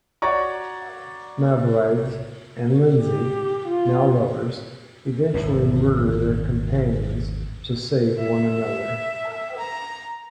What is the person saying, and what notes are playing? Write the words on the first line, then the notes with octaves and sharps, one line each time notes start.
Mavrides and Lindsay, now lovers, eventually murder their companions to save one another.
F#4 C#5 D5 A#5 C#6
G4
F4
G#1 E2 A2
E5
A#5